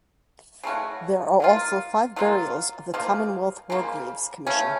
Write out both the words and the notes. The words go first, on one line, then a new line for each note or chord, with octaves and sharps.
There are also five burials of the Commonwealth War Graves Commission.
C#3 A3 C#4 F#4
F#3 A#3 F4
F#3 A#3 F4
C#3 F3 A#3
C#3 F3 A#3
C#3 A3 C#4